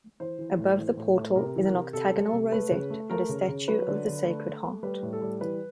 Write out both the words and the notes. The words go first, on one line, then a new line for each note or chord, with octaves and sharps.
Above the portal is an octagonal rosette and a statue of the Sacred Heart.
E3 C5
E3
A2
E3
A2
A2
C3 A#4
E3
A#4
C3
C3 A4
G3
C3
A3 B4
C#3
A3
A3 A#4
C#3
C#3
F#3 B4
D3
D3
A3
A3
A3
G3 B4
A2
A4
G3
E3 B4